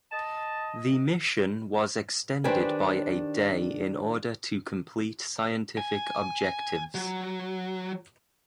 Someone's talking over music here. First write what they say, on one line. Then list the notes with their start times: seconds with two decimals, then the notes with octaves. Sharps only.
The mission was extended by a day in order to complete scientific objectives.
0.11 D#5 A5
2.44 D#3 D4 G4 B4 C5 G#5
5.77 G#5
6.95 F#3